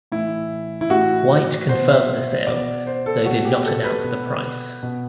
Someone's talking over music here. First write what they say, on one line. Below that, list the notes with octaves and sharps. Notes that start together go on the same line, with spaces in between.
White confirmed the sale though did not announce the price.
A2 E3 E4
E4
A2 E3 F#4
B2 C5
E5
B2 D5
C5
A4
B2 F#4
G4
A4
B4
B2
B2